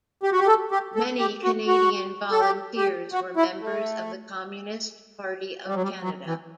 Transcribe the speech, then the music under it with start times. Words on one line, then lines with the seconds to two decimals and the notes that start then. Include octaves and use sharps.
Many Canadian volunteers were members of the Communist Party of Canada.
0.23 G4
0.32 F#4
0.39 G4
0.47 A4
0.71 G4
0.95 A4
1.19 G4
1.44 F#4
1.68 F#4
2.31 A4
2.40 G4
2.77 G4
3.13 F#4
3.37 E4
3.61 A3
5.67 G3
5.74 F#3
5.82 G3
6.02 F#3
6.26 E3